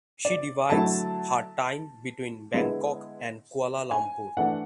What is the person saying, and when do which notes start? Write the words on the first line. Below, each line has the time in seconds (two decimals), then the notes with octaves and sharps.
She divides her time between Bangkok and Kuala Lumpur.
0.25 D5
0.70 D3 F#3 A3 E4 A5
2.54 D3 G#3 B3 E4
3.91 G#5
4.37 E3 A3 D4 F#5